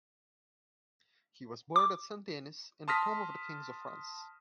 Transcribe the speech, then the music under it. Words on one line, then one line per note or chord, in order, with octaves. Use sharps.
He was buried at Saint-Denis in the tomb of the Kings of France.
D6
A5 C6 D#6 F6 A#6 B6